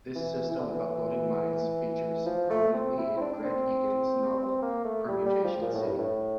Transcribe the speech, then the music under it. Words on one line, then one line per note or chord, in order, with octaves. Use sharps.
This system of uploading minds features prominently in Greg Egan's novel "Permutation City".
E3
E3
D3
E3
F3
A3
C4
E4
C4
D4
D4
C4
C4
A#3
A3
G3
G3
F3
A#2
A2
G2
A2